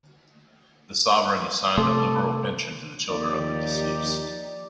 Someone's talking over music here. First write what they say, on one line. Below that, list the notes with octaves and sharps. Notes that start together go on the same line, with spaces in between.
The sovereign assigned a liberal pension to the children of the deceased.
C3 A3 A4 C6 D6
D#2 F3 D#4 G4 D5